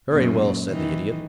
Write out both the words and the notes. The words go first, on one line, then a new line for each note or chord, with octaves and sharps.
"Very well," said the Idiot.
F#2 A#2
D#3 E3